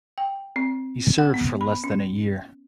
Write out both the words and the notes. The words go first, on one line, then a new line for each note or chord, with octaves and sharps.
He served for less than a year.
G5
C4
F#5
B3
B5
C#4